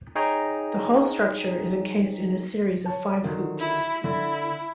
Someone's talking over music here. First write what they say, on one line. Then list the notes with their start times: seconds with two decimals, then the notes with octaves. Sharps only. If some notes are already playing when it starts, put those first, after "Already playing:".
The whole structure is encased in a series of five hoops.
0.16 D#4 G#4 C#5 G5 A#5
2.86 C#5 A5
3.23 D3 D#3 F#3
3.59 E4
4.04 D3 E4